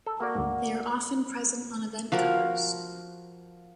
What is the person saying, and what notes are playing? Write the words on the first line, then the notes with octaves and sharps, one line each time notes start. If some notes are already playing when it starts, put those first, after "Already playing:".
They are often present on event covers.
A4
A#3 F#4 D5
D2 G#2
F3 F#4 A#4